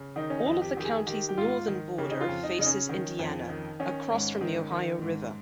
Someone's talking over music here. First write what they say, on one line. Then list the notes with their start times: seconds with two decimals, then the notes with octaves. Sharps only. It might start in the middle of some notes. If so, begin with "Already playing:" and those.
All of the county's northern border faces Indiana, across from the Ohio River.
Already playing: C#3
0.16 D#3 D#4
0.30 C#4
0.39 D#4
0.46 F2
0.62 G4
0.77 D#3 G4
0.84 G#4
1.07 D#3 G4
1.29 G4
1.37 G#2 F4
1.68 D#3
1.98 C#3 G4
2.11 D#4
2.21 F4
2.28 F2
2.43 D#4
2.59 C#3 D#4
2.66 C#4
2.89 D#3
3.19 F2
3.50 D#3
3.80 D#3 C#4
4.11 G#2
4.41 D#3
4.71 D#3
5.01 G#2